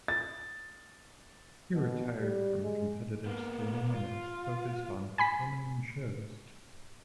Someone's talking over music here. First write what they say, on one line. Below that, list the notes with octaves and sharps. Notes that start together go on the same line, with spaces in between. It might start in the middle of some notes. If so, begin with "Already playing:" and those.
He retired from competitive skating and has focused on performing in shows.
A6
B2
G3
G#3
A#3 B3
F4
G#5 B5 B6